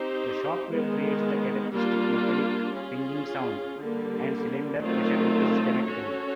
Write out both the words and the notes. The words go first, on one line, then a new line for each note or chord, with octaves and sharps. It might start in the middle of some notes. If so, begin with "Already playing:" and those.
The shock wave creates the characteristic metallic "pinging" sound, and cylinder pressure increases dramatically.
Already playing: C4 D#4 G4 C5
D#3 G#3 B3
G3 A#3 D4 F4
C#4 F4 G#4
D3 G3 A#3
D#3 F#3 A3 C4 F4
C#4 F#4 A4 C#5